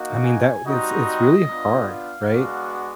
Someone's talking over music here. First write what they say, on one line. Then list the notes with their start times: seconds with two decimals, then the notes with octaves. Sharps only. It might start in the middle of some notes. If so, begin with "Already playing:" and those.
I mean, that it's it's really hard, right?
Already playing: A#3 D#4 F#4
0.24 G#5
0.66 G3 C4 D#4 F#4 D#5
1.49 B3 D4 F4
1.91 F5
2.32 G#3 B3 D4 F#4